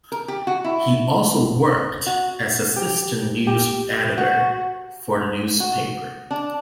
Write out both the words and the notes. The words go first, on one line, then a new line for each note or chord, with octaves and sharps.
He also worked as assistant news editor for the newspaper.
A#4
G4
F#4
E4
F#4
G4
G4
F#4
F#4
D4